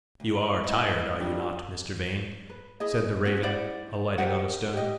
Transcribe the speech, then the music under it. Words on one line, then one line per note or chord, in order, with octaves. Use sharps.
"You are tired, are you not, Mr. Vane?" said the raven, alighting on a stone.
D2
G#2 B3 D#4 E4
F#2 G3 D4 F4 G4
B4
E4 G#4 D#5
C#4 F#4
E4 C5 D5 F#5
G4 A#4 C5 F#5
G4 D#5